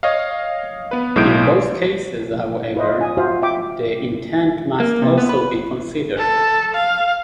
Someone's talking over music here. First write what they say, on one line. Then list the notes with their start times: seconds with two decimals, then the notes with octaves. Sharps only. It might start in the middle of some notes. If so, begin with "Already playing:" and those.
In both cases, however, the intent must also be considered.
0.03 C#5 D#5 F5
0.91 B3 B4
1.16 B1 A2 G#3 G6 D7
2.76 F4 B4 C5 D#5 E5
3.01 G#5 D#6
3.17 F4 F#4 C5 E5 F5
3.42 E5 G5 D6
4.80 A#3
5.02 C3
5.18 B3
5.29 B4
6.18 A4
6.75 F5